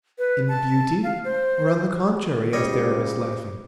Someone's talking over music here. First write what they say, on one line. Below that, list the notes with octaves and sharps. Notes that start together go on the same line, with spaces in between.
"In beauty or on the contrary?" asked Aramis, laughing.
B4
A5
F5
C5
C#2 G3 C5 C#5 D#5 D6